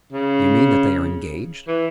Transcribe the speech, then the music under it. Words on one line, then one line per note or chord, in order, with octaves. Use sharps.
"Do you mean that they are engaged?"
C#3
E3